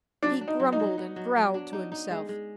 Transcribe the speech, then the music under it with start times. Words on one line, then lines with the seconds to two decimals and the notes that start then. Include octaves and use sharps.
He grumbled and growled to himself.
0.23 F#3 D4
0.41 D4
0.48 D#4
0.60 F#3
0.73 D#4
0.80 F#3
0.98 B3
1.16 F#3
1.36 F#3
1.54 D4
1.73 D#4
1.92 D#4
2.11 G#3
2.29 G#3